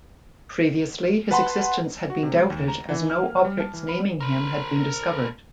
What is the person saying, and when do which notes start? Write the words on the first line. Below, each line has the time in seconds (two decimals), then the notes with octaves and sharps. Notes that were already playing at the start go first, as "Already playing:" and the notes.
Previously, his existence had been doubted as no objects naming him had been discovered.
1.31 B4 F#5 A5 B5 C6
2.10 F#4
2.23 C3
2.36 G#3
2.50 D#2
2.68 A#5
2.89 E3
3.10 F6
3.22 A#3
3.45 G3
3.60 A5
3.73 E3
3.89 B5
4.20 A#4 B4